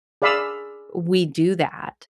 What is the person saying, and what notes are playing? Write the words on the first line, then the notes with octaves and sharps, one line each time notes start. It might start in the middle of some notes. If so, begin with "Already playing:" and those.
we do that.
G#4 D5 F5 B5 D#6 E6